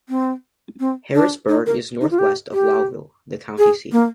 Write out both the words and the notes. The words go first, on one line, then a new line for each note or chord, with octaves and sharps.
Harrisburg is northwest of Lowville, the county seat.
C4
C4
D4
D#4
A#4
D#4
F4
G4
G4
G#4
A#3